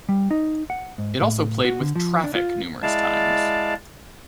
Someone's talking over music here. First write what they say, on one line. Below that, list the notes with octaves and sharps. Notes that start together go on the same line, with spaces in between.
It also played with Traffic numerous times.
G3
D#4
F#5
G#2
A2
F#4
D3
F3
D4
F4
G#3 E4 D5 F5 A5